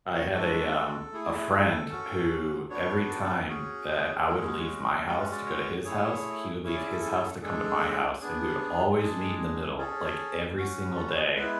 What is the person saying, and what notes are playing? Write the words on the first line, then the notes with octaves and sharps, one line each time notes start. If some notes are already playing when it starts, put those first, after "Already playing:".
I had a, um, a friend who every time that I would leave my house to go to his house, he would leave his house to come to my house, and we would always meet in the middle, like, every single day.
C#5
G#3 D4 F#4 A4
A3 E4 G#4
A4
C#4 F#4
B3 D4 F#4 C#5
A4
C#4 F#4 G#4
G#3 C#4 F#4
G#3 C#4 F#4 A4
B4
D5
C#5
A3 E4 G#4 C#5
C#4 E4 G#4 C#5
D5
A4
A4
G#3 D4 G#4 A4
B3 D4 G#4
G#3 D4 G#4 A4
G#4
C#4 G#4 A4
C#4 F#4
A4
B4
G#4
A4
G#3 B3 E4 B4